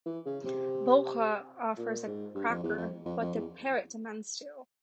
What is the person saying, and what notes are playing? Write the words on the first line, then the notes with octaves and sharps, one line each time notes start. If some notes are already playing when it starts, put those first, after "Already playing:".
Beaupre offers a cracker, but the parrot demands two.
E3
C#3
C3
A#2
G#2
G2
F2
E2
F2
F2
F2
E2